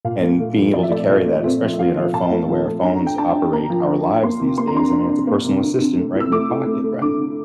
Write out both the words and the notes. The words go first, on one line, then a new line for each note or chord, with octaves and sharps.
and being able to carry that, especially in our phone, the way our phones operate our lives these days, I mean, it's a personal assistant right in your pocket, right?
A#2 F5
A3
A3
F3
F3 D5
E5
A3 D5
A#2
A3
C4 E5
F3
E5
F3 F5
F3
A#2 A5
A3
F3
A3
D4 A#5
D4
G5
D4 A5
D4
A#3 A#5
F3
D4
D4
A#3 C6
C3
A#3 C6
A#5
D4 C6
D4
D4
A#3
C3
D3
D3
A3
E4
E6
A3 D6
E4
A3
A3
D3 D6
D3